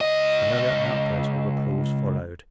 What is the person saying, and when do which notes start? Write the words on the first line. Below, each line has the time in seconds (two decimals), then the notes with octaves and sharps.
Another outburst of applause followed.
0.01 C#2 D#5